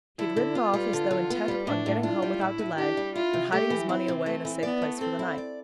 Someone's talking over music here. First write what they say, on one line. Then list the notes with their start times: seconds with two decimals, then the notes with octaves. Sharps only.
He had ridden off as though intent upon getting home without delay, and hiding his money away in a safe place for the night.
0.19 D3 E4
0.36 D3
0.55 B3 F4
0.74 G3
0.93 D3
1.11 D3
1.30 B3
1.48 G3
1.67 A2 D4
1.86 A2
2.03 D4 F4
2.22 G3
2.40 A2 E4
2.59 A2
2.78 D4 G4
2.97 G3
3.15 E4 F4
3.33 C3
3.52 A3 G4
3.70 E3
3.89 C4 E4
4.08 C3
4.26 A3
4.45 E3
4.63 B3 D5
4.82 A3
5.00 C4 A4
5.19 E4
5.38 D5